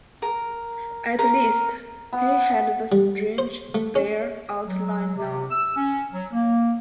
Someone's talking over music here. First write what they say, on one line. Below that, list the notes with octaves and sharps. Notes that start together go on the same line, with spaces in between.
At least he had the strange, bare outline now.
A#4
A#4
B3
G3
C5
A3
C#4
F#3
C3
E6
C#4
F#3
A#3